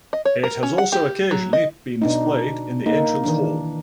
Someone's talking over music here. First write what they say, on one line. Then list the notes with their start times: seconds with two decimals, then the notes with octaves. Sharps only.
It has also occasionally been displayed in the Entrance Hall.
0.13 D#5
0.25 C#5
0.43 A#4
0.63 C#4
0.78 F#5
0.92 G4
1.31 F#3
1.53 D#5
2.02 B2 D4 D#4
2.86 A#3 D#4
3.24 D#3 E3 D4